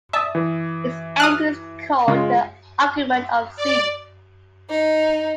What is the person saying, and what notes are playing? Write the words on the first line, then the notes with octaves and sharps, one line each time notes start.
This angle is called the argument of "z".
D5 E5 A5 D#6
E3
D#6 F6 F#6
C#3 G#3 F4
D5
D#4